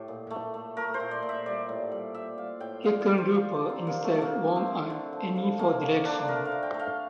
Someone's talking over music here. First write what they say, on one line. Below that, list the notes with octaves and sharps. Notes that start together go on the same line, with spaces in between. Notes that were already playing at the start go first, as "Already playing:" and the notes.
Hickenlooper himself won an Emmy for direction.
Already playing: A2 G4 A4
A#2
A3
A3
A3 A#4
C5
A#2
D5
A#2
E5
G3 D5
A2
G3
G3 E5
G3 F5
A2 G5
G3 F5
F5
G3
C5
G3
F4
D3
A#3 C4
G3
A#3
D3
A3
A3
D3 A#3
A3
C4
A3
D3
F3
F3
A3 A#3
D3
D3 D4
A3 A#4
F5
D3
G5
A3
F5